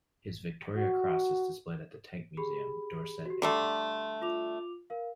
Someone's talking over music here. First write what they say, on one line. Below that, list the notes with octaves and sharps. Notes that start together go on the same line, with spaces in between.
His Victoria Cross is displayed at The Tank Museum, Dorset, England.
F#4
G4 G#4 B5
F#4 G4
D3 G3 A3 C6
F4 D6 F7
A#4 F5